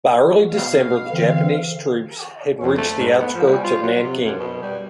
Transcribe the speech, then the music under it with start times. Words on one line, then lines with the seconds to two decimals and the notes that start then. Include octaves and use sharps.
By early December, the Japanese troops had reached the outskirts of Nanking.
0.17 F3 F4 F#4
0.50 B2 F5
1.11 D3 E3 G#3 C4
2.63 F2
2.78 A3
2.99 G#2
3.20 B3
3.35 F3
3.47 G3
3.64 F4
3.83 F#3
4.04 C3
4.23 F#2
4.39 B2
4.62 G3